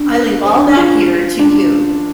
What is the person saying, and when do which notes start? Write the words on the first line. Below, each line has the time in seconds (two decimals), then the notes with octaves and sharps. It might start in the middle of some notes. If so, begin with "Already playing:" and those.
I leave all that here to you.
Already playing: D4
0.45 C4
0.55 D4
0.66 D4
0.77 F4
1.39 D4